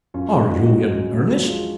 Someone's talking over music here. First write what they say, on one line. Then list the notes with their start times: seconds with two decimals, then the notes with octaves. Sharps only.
"Are you in earnest?"
0.14 F#2 C#4 F4
0.40 D#4 F#4
0.53 F3 G#3
0.66 D#4 F#4
0.92 F#2
1.17 D#4 F#4
1.30 F3 G#3
1.43 F4 G#4